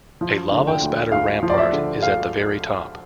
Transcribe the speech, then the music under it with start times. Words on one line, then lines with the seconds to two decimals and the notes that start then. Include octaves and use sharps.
A lava spatter rampart is at the very top.
0.21 F3
0.52 D3
0.67 G5
0.81 D2
1.12 D2 F5
1.43 F3
1.49 D5
1.58 E5
1.73 D3
2.02 D2 F5